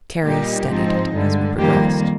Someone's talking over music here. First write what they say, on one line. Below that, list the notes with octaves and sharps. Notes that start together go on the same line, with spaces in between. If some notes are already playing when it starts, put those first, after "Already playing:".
Terry studied it as we progressed.
A#2 G3 A#3 D#4 G4
G#2 F3 C4 D#4
G2 D3 G#3
F2 D#3 G3 A#3 G4